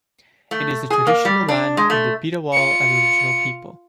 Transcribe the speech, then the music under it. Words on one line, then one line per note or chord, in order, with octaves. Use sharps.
It is the traditional land of the Bidawal Aboriginal people.
A3
G#4
A#3
G3
D4
G#3
A3
F4 C#7